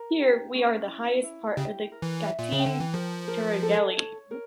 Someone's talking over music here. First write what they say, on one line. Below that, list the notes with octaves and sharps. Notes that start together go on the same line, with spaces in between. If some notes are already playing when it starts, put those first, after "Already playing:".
Here, we are in the highest part of the Gâtine Tourangelle.
Already playing: A#4
G4
C#4
E4
E4
C#3 G4
A#4
E3
E5
A#2
C#3
G5
D3
E3
F3 A#4
A#4
A4
C#5
A#4